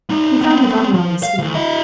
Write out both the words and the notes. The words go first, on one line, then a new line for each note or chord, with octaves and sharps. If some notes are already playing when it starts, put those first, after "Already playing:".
He found the governor on his feet.
D#4 D5
B3 C4
F3
F5
D2
E4 D#5